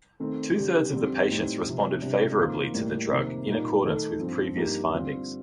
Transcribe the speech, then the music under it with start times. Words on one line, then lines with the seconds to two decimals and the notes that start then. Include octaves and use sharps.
Two-thirds of the patients responded favorably to the drug, in accordance with previous findings.
0.20 D#3 A3 C4
0.56 D3 G3 C4 G4
0.93 F2 D3 G3 C4 G4
1.29 A2 G3 C4 D#4
1.65 C3 F3 C4
2.02 C3 G3 D4
2.37 F2 D#3 A#3 F4
2.73 A2 G3 A#3
3.11 F2 C3 D#3 A#3
3.47 A#2 G3 A#3 D#4
3.83 D#3 A3 D#4 A4
4.20 G2 F3 C4
4.56 G2 F3 A#3 D#4 G4
4.93 D3 G3 C4 F4